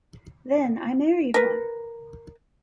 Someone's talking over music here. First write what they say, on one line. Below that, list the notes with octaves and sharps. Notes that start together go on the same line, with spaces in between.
Then I married one!
A#4 B4